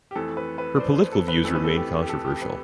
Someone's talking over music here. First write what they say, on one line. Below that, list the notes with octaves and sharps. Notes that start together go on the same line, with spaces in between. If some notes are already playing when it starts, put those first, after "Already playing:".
Her political views remained controversial.
G4
F2 E3 A3 A4
B4
B4
D5
C5
C5
A4
B4
F2 E3 A3 A4
B4
A4
G4
G4
A4
G4
B4